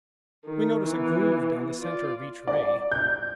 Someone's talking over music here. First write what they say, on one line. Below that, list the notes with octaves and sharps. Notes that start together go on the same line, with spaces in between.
We notice a groove down the centre of each ray.
D#3
E3 B3
F4 D5
D5
G6